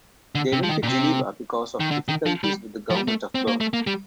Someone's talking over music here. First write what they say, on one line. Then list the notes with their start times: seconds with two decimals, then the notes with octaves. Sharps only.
They went to Geneva because of difficulties with the government of Berne.
0.35 D3
0.53 C3
0.63 F3
0.69 D#3
0.83 A#2
0.87 C3
1.80 D#3
1.91 D3
2.08 D#3
2.26 F3
2.44 G3
2.90 F3
2.95 G3
3.08 A3
3.35 C4
3.48 A#3
3.61 A3
3.74 A#3
3.87 G3